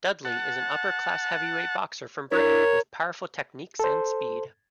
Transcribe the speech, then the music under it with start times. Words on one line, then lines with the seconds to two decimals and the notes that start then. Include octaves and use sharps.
Dudley is an upper class heavyweight boxer from Britain with powerful techniques and speed.
0.25 F#5 A5
2.32 D4 E4 A#4 C#5
3.79 A4 C5